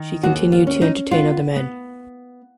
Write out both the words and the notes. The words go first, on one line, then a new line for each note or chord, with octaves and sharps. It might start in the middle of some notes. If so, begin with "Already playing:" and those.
She continued to entertain other men.
Already playing: D#3
D#2 F#4
F4
C#4
D#4
B3 F4
B3